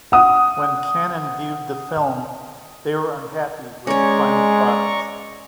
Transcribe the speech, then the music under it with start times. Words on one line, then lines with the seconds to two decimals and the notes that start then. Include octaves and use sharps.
When Cannon viewed the film they were unhappy with the final product.
0.12 F#5 D#6
3.87 G#3 C#4 C#5 D5 A#5 C#6